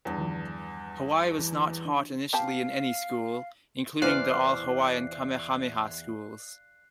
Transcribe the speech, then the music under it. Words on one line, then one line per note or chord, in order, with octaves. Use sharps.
Hawaiian was not taught initially in any school, including the all-Hawaiian Kamehameha Schools.
E2 G2
D#3 F3
E3
D4
B3 G4 F5 A5
E2 E4 B4 C5 D5 F5 F#6 C7